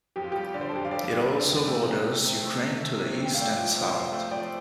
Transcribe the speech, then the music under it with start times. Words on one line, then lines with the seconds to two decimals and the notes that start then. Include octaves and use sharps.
It also borders Ukraine to the east and south.
0.16 F2 G4
0.24 F4
0.32 G3 G4
0.54 D3 D5
0.61 C5
0.69 A4
0.74 F2 G4 C5
0.85 F5
0.91 F2 A4 D5
1.11 G3
1.30 D3
1.48 F2
1.67 A3
1.86 C3
2.06 A3
2.24 C3
2.43 A3
2.61 C3
2.81 A3
2.99 C3
3.18 F2
3.25 G5
3.34 F5
3.38 A3 D5 G5
3.56 F3
3.75 F2
3.86 G5
3.93 F2 C5 F5
4.12 A3
4.31 F3 D5 G5